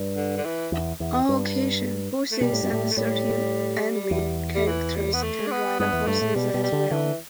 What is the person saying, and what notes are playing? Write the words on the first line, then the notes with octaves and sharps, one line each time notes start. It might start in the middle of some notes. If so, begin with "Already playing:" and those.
On occasion, bosses and certain enemy characters can ride horses as well.
Already playing: G2
D3
D3
E3
E2
E2
G2
A3
B2 G3
A2
G2
A2
A3
A2 G3
E2
G3
E3
G3
B3
A3
D4
B3
G2 B3
E2
G2 A3
A2
B2 G3
B2
G3
D3
D3 E3